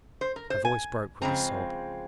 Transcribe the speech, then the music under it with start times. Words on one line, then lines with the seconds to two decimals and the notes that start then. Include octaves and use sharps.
Her voice broke with a sob.
0.21 C5
0.36 A#4
0.50 C5
0.65 G#5
1.22 C#3 F3 G#3 C4 A#5